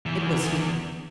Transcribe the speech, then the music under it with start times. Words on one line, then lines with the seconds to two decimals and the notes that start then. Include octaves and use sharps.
It was he.
0.06 E2 E3